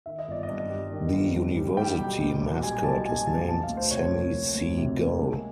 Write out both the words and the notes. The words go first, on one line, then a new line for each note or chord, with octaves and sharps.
The University mascot is named Sammy Sea Gull.
D#3 E5
D#5
G1 D5
D#5
G2
G3
D#3
G1
G2
G3
G3 G5
B1
A#2
B1
G3 G#5
B1 A5
A#2 G#5
B1 A5
F3 A5
F5
D2
C5
C3 C#5
A#3
F3
D2
C3
A#3
G#3